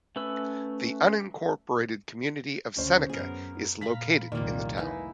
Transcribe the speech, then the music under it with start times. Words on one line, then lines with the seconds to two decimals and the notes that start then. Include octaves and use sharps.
The unincorporated community of Seneca is located in the town.
0.16 A3 C#4 B4 E6
2.76 D2 C#3 C#4 C5
3.09 F#2 B3 G#4 A#4
3.81 A#2 F5 A#5 B5 B6
4.32 F1 C2 A#2 D#3 A#3 F4
4.78 D#4 E4 B4 G#5